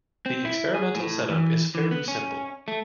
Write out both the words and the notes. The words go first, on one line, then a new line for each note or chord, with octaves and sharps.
The experimental setup is fairly simple.
C4
E4
G#4
A2
E3
E3
B3
C#4
A3